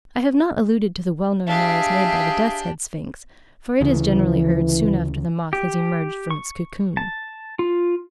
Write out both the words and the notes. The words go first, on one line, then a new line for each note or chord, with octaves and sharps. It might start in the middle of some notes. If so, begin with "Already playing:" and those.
I have not alluded to the well-known noise made by the Death's Head Sphinx, for it is generally heard soon after the moth has emerged from its cocoon.
D4 G4 G#4 E5 F5
D2 C#3 E3
G4
C#6
A5
F4